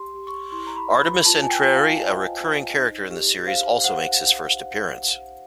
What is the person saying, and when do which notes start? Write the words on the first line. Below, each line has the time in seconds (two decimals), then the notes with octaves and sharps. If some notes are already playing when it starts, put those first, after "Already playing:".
Artemis Entreri, a recurring character in the series, also makes his first appearance.
Already playing: G4 C6
0.14 G4
0.27 C#6
0.52 E4 C6
0.67 A#5
0.76 B5
0.88 B4
1.01 B5
1.25 F4 A5
1.42 G#5
1.49 G5
1.63 F4
1.74 F5
1.99 C5 D#5
2.36 C5
2.74 D#4
3.10 G4
3.46 C5 F5
3.84 C5 F#5